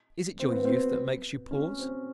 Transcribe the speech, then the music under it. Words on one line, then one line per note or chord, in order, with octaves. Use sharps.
Is it your youth that makes you pause?
C4
B3
C4
C#4
C4